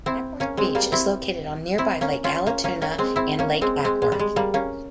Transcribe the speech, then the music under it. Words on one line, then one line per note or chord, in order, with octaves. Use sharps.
Acworth Beach is located on nearby Lake Allatoona and Lake Acworth.
C4 E4
A#3 C#4
G#3 C4
G3 A#3
C4 E4
C4 E4
A#3 C#4
C#4 F4
A#3 C#4
A#3 C#4
A#3 C#4
G#3 C4
C4 E4
A#3 C#4
G#3 C4
G#3 C4
G#3
G3
G#3
G3 A#3
A#3 C#4